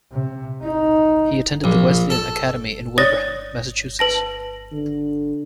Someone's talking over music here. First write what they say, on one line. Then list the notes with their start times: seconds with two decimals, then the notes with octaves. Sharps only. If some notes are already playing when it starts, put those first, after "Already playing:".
He attended the Wesleyan Academy in Wilbraham, Massachusetts.
0.13 C3
0.63 D#4
1.64 A#1
2.10 A4
2.98 C#5 D5 D#6 A6 A#6
3.99 B4 A5 A#6
4.72 D3